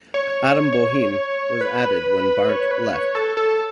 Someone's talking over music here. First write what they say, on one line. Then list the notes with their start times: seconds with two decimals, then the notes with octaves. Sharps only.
Adam Boehm was added when Barnt left.
0.14 C#5
0.44 C#5
0.73 C#5
1.61 B4
2.49 C#5
2.71 B4
2.93 C#5
3.15 A4
3.37 A4